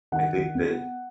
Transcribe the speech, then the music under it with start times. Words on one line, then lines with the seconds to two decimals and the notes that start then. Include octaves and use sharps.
I think that
0.12 D#3 F#5
0.33 D#3
0.55 B3